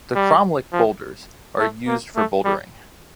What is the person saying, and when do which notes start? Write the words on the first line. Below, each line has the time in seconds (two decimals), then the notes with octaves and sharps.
The Cromlech Boulders are used for bouldering.
0.15 G3
0.73 F3
1.58 A3
1.87 A#3
2.16 A3
2.45 G3